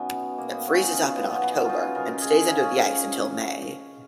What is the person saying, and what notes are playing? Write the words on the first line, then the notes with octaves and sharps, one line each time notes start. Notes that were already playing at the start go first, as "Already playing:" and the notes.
It freezes up in October and stays under the ice until May.
Already playing: B2 F#3 B3 C#4 D#4
B2 G#3 A#3
B3
C#4
D#4
F4
C#4
B2 F#3 B3
B3
B3
C#4
D#4 F4
F4
C#3 G#3 A#4
A#4
G#4
F4
D#4
C#4
C#3 F3 G#3 C#4